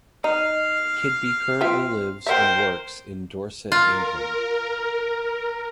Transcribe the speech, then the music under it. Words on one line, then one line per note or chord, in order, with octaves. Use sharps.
Kidby currently lives and workes in Dorset, England.
D#4 F5
C4 F4 E5
A#4 C5 E5 F5 G5
F4 A#4